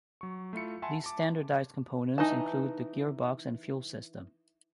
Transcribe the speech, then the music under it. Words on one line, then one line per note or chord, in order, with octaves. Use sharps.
These standardised components include the gearbox and fuel system.
F#3 C#6
A3 E4 F4 E5 B5 C#7
E5 F#5 G#5 A5 B5 C6
A5 D6
E3 D#4 B4 A5